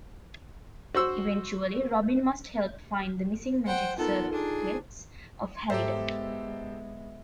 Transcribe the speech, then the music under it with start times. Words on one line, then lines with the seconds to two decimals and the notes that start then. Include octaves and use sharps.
Eventually, Robin must help find the missing magic circlets of Halidom.
0.95 F#4 C5 E6
3.66 C5 F#5 G5
3.98 B3 D#4 F4 A4 A#4
4.33 D4 G#4
5.70 G#2 G#3 B3 G4 A4 C5 E5